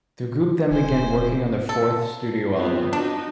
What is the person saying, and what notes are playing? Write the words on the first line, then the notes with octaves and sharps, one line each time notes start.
The group then began working on their fourth studio album.
D#1 C5 G#5
A4
B3 C4 F4
D4 D#4 F#4